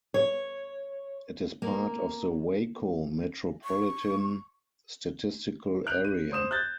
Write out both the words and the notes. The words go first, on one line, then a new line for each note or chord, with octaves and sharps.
It is part of the Waco Metropolitan Statistical Area.
C#5
A#3
C#6
F#6 G6 D7 F7
D#7
C5 D#6 E7
F#6 G6 A6